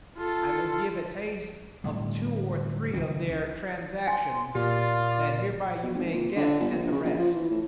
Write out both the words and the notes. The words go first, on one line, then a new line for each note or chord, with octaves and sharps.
I will give a taste of two or three of their Transactions, that hereby you may guess at the rest.
F4 A4
A2 D3 G3
C#2 D#3 F#3 C#4
G#5 C6
A#2 F4 G4 D5
B2
G#1
A#2
D3
G1
A#1
C#3
A#1
F3
E3
A2